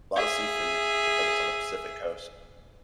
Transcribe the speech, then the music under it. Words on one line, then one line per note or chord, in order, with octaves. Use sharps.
lotta seafood because it's on the Pacific Coast.
G#4 E5